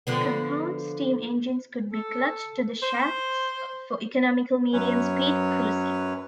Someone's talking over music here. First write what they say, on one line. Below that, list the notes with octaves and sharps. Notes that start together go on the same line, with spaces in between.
Compound steam engines could be clutched to the shafts for economical medium-speed cruising.
D3 F3 B3
A4
C5
F#2 F#3 C#4 B4 C#5